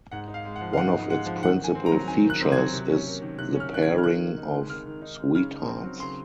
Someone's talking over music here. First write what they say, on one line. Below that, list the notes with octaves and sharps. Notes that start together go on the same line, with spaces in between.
One of its principal features is the pairing of sweethearts.
G#2 F#5
D#4
F5
G#3
F#5
F3
F5
G#2 F#5
D#4
G#3 F#5
F3
D#3 F#5
D#3 G#5
C4
A#5
F#3
D#3 G#5
D#3
F#6
C4
G#6
F#3
C3
C#4
A#3
D#3
C3 F#6
C#4
F6
A#3 F#6
G#6
D#3
F6
D#3 F#6
D#3
D#4
G#3
D#3 F6
D#3
D#4
G#3
C#3 F6
D#4
C4
F#3
C#3 C6